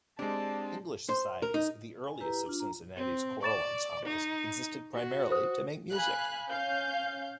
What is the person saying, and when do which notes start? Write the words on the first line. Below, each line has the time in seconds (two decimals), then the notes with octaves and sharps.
English societies, the earliest of Cincinnati's choral ensembles, existed primarily to make music.
0.19 G#3 C4 D4 G4 A5
1.09 C5
1.42 A#4
1.54 D#4
2.04 G#5
2.21 E4 G4 B4 A#5
2.46 D4 F4
2.60 A#5
2.96 C4
3.43 D5 C#6 A6 E7
4.06 D#4
4.94 F#4
5.31 C5 D#6
5.92 F5 G#5 B5 F#6
6.49 C#4 F5 G6